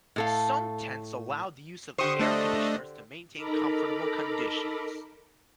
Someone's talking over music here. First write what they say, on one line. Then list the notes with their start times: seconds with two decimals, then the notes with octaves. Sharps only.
Some tents allow the use of air conditioners to maintain comfortable conditions.
0.16 A2 A4 F5
1.98 D3 G4 C5 C#6 D#6
2.20 A3 D4 D#5
3.36 D#4 A4 A#4 A#5 B5 D6